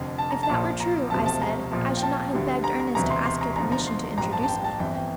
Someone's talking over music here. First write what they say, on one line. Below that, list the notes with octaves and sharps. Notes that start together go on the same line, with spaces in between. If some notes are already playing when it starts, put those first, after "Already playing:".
"If that were true," I said, "I should not have begged Ernest to ask your permission to introduce me."
Already playing: F1 F2 D3
A5
A#5
A5
A#1 A#2 F3
A#5
E1 D2 C3 F3 A5
A5
A#5
A#1 A#2 F3
G5
A5
D2 D3 G3
A#5
A#5
E1 D2 C3 E3 A#5
C6
C6
A#5
E1 E2 D3 F3 A#5
A#5
C6
A1 G2 F3 A#5
A5
A5
G5
A5
G1 F2 E3 G5
G5